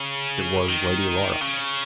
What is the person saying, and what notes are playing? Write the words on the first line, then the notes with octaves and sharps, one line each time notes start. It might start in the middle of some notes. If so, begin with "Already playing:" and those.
"It was Lady Laura."
Already playing: C#3
D#3
C#3